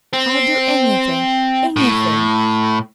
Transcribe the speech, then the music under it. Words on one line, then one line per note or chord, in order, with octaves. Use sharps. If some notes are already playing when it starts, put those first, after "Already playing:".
I'll do anything--anything!
C4
A2